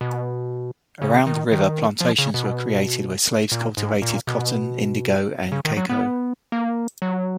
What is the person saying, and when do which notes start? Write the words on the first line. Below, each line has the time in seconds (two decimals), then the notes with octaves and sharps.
Around the river, plantations were created where slaves cultivated cotton, indigo and cacao.
0.01 B2
1.02 C#3
1.27 D#3
1.52 D#3
2.01 F3
2.18 C#3
2.34 B2
3.52 A#2
3.77 G#2
4.02 A#2
4.27 B2
5.52 C#3
5.65 D#3
5.77 F#3
5.89 B3
6.52 A#3
7.02 F#3